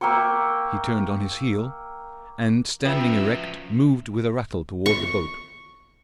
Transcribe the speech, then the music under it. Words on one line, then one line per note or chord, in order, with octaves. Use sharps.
He turned on his heel, and standing erect moved with a rattle toward the boat.
A#3 E5 G5 C#6
F3 F#3 C#4 F4 B4 E5 G5
C#6